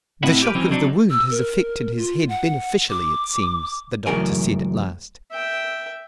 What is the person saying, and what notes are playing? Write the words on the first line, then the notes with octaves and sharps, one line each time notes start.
"The shock of the wound has affected his head beneficially, it seems," the doctor said at last.
A2 C4 E4 D#5 E5 F#5
G4 A#4 B4
F2 E3 F#3 C4 C#4 D#4
F#3 C4 D4 D#4
E6
A#4
F4
F#5
D6
C#2 F#2 E3 A3 A#4 G#5
E5 G5